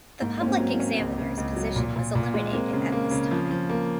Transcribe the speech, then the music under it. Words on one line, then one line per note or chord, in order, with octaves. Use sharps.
The Public Examiner's position was eliminated at this time.
G#2 A#3
A#3 C#4
C4
F#3
A#3
C#4
C#2
C#3
C#2
F#3
A#2
A#2
A#2
G#3
A#3 C4
C#3
A#3
C#3
F3
F3
A#3